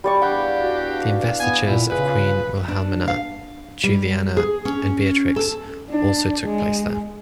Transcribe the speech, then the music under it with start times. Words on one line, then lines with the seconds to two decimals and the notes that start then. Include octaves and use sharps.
The investitures of Queen Wilhelmina, Juliana and Beatrix also took place there.
0.04 G3 D5 C#6
0.22 E2 D4 G4 F5 F#5
0.60 F#4
1.40 B3 G#5
1.66 A#2 E4
1.90 C#3 F4 G#4 B4
2.68 D4
3.08 F5
3.84 G3
4.37 G#4
4.65 C#4
5.36 A4
5.90 D4
6.45 G#3